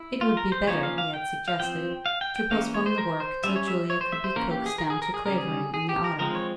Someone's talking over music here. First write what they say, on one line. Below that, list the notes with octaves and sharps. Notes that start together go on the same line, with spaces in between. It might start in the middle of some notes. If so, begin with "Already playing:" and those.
It would be better, he had suggested, to postpone the work till Julia could be coaxed down to Clavering in the Autumn.
Already playing: E4
F4
A#4
C5
F3 A#3 C#4 C#5
F5
F5
G5
F5
F3 C4 G5
F5
G5
G5
E3 A#3 C#4 F5
C#5
C5
A#4
C5
G3 C#4 E5
C#5
E5
C#5
C5
E5
C5
E3 A#3 C#4 A#4
G4
G#4
A#4
G#4
A#4
G#4
C#3 G3 C#4 A#4
G#4
G#4
G4
A#4
F3 G#3 C4 A#4
C#5